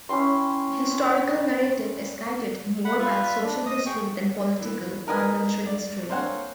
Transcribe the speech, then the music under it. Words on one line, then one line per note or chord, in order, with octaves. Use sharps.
The historical narrative is guided more by social history than political or military history.
C#4 E4 G5 C6
F#5 B5
F4 B4 E5
D4
D#5 D#6
G#4 G5 C#6
E3
D#4 A#4 B4 D#5 G#5
D5
A#3 C4 C5 C#5 F#5 G#5